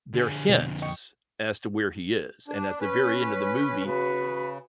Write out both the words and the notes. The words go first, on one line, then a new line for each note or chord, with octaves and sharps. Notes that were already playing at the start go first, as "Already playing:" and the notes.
there are hints as to where he is, and at the very end of the movie,
D3 G#4
F2 B2 D3
D#5 G5 C#6
D4
C#4 B4
C#3 F#4 B4